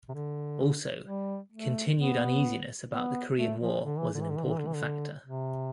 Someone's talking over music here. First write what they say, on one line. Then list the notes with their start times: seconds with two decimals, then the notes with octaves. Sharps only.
Also, continued uneasiness about the Korean War was an important factor.
0.09 C3
0.14 D3
1.06 G3
1.52 A3
1.99 B3
2.91 B3
3.37 A3
3.61 F3
3.84 D3
3.98 E3
4.15 D3
4.22 E3
4.30 D3
4.37 E3
4.44 D3
4.52 E3
4.59 D3
4.67 E3
4.75 D3
5.23 C3